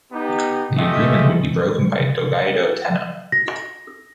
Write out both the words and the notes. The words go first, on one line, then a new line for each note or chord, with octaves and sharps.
The agreement would be broken by Go-Daigo Tennō.
B3 D#4 G4
A3 F4 G4 G#4 D#5 E5
A#6